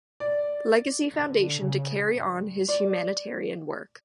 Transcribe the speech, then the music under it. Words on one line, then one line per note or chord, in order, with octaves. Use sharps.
Legacy Foundation to carry on his humanitarian work.
D5
D3
C#3
G2
D5